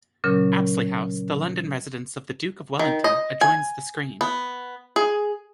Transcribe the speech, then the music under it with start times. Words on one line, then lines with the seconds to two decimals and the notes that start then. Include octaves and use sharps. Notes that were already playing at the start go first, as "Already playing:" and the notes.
Apsley House, the London residence of the Duke of Wellington, adjoins the screen.
0.24 A#2 C#3 F#3 C#4 A#4
2.79 D#3
3.04 D#5
3.41 G#5
4.21 B3
4.96 G#4